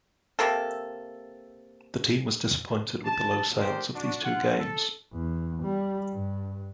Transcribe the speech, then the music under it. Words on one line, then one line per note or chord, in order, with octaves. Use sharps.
The team was disappointed with the low sales of these two games.
C3 A#3 A4
A5
D4 G4 G#4 A#4 C5
D4 F#4
F4 F#5
A4
E2
G3
G2